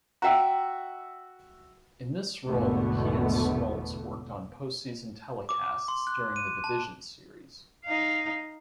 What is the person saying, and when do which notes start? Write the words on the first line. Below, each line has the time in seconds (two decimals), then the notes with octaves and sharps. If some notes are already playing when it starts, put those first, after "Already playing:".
In this role, he and Smoltz worked on postseason telecasts during the Division Series.
0.22 F#4 E5 G5 A#5
2.46 G#1 E2 B2 D3 A3 B3
5.49 D6
5.88 C6
6.07 F#6
6.36 D#7
6.64 A5
7.85 D#4 F5